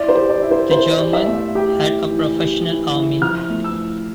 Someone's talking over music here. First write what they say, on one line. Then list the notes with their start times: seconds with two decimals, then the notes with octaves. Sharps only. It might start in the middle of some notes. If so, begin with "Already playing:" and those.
The German had a professional army...
Already playing: E4 D5
0.08 C5
0.15 G4
0.29 D5
0.43 E4
0.51 C5
0.71 E4 C5
0.92 D5
0.98 G4
1.13 E5
1.27 A3
1.34 F5
1.55 G4 G5
1.83 E4
2.11 E3
2.39 G4
2.66 E3
2.94 E4
3.22 F3 F6
3.50 A3
3.64 E6